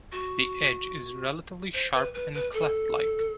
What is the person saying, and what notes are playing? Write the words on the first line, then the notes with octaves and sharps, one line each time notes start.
The edge is relatively sharp and cleft-like.
F#4
C5
B4
B4
B4
A4